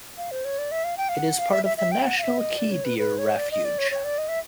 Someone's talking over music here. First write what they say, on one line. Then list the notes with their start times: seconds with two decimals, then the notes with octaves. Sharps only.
It is part of the National Key Deer Refuge.
0.17 F5
0.31 C5
0.45 C#5
0.58 D5
0.71 E5
0.84 F5
0.97 G5
1.09 F5
1.17 F#5
1.39 F5
1.51 E5
1.65 E5
1.77 E5
1.92 G5
2.05 F#5
2.18 F5
2.23 E5
2.38 D#5
2.58 D5
2.71 C#5
2.85 B4
2.99 B4
3.18 C#5
3.38 D5
3.51 D#5
3.65 D5
3.78 C#5
3.91 C#5
4.04 D5
4.18 D#5
4.28 E5